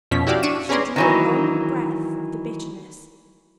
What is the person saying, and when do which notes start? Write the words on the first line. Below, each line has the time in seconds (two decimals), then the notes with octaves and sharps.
She drew a long breath of the bitterness.
0.11 F2 B2 F3 C#4 B6
0.27 E4 F#4 G4 D5 F5
0.43 D4 C#6 D6 D#7 E7
0.69 C#4 G#4 B4 D5 A#5 C6
0.96 D#3 E3 F#3